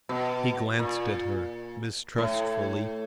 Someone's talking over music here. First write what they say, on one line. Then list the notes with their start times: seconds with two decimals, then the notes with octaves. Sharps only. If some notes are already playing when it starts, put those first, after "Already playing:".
He glanced at her mistrustfully.
0.09 B2
0.79 A#2
2.18 A2